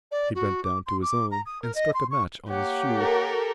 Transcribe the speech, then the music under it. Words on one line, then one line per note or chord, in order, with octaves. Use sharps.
He bent down to his own, and struck a match on his shoe.
D5
F#4
D6
C6
D6
A#5
D#6
A#4
D#5
C6
C#6
A#3 G4 C#5 F#5
A4 A#4